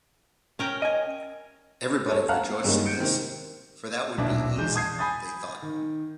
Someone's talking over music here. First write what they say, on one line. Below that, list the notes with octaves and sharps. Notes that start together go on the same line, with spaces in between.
Everybody rejoiced at this, for that would be easy, they thought.
C#4 A#4 G5
D#5 G#5
A4 C#5
F5 F#5 A5 A#5 F6 F#6
B3
G2 D#3 G3 G#3 A#3 C#4
G6 C#7 D7
C3 D#3 C4
D#1 B1 B2 D4 E4
A#1 E2 G#3 G6
A5 D#6 G#6 C7
G#5 B5 D#6 G6 A6
D#3